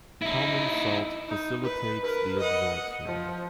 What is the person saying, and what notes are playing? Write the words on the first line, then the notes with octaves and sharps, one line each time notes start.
Common salt facilitates the absorption.
D#4 E4
D#4
B4
A#4 B4
D#5 F#5
F3